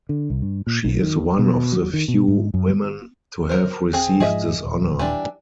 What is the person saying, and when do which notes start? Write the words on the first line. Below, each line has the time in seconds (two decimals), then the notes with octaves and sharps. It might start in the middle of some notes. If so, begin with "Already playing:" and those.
She is one of the few women to have received this honor.
0.09 D3
0.30 C2
0.42 G2
0.67 A#2
0.84 B1
1.02 D#3
1.39 B2
1.72 F#3
1.93 D#3
2.08 B2
2.28 G#2
2.54 F#2
3.49 A#4 C5
3.93 C4 G#4
4.20 G#2 F3 G#4 D#5 E5
4.64 D#1
4.99 E3 G3 D4